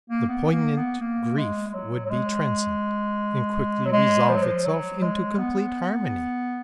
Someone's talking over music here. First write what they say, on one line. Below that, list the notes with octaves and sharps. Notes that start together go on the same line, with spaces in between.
The poignant grief would be transient and quickly resolve itself into complete harmony.
A#3
B3
A#3
B3
A#3
G#3
G#3
F#3
F#3
G#3
F#3
G#3
F3
F#3
F3
F#3
G#3
B3